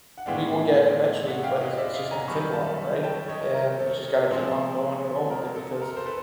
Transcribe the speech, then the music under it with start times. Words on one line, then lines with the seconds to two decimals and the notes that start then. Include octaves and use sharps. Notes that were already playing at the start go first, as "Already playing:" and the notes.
we will get eventually, but it's it's just gonna take a while, right? And, we just gotta keep on going and going with it because
0.18 F#5
0.26 A2 E3 G#3 B3 D4 F5 G5
1.27 E5 F#5
1.43 F5 G5
1.60 D#5 F5
1.77 D5 E5
1.94 D#5 F5
2.11 G#5 A#5
2.28 F#2 D#3 G3 B5 C#6
2.53 A5 B5
3.03 G5 A5
3.28 C#5 D#5
3.54 A#4
3.79 A4
4.30 A#2 F3 G#3 C4
5.31 A#4
5.56 A4
5.82 A#4
5.96 C5
6.06 A4 B4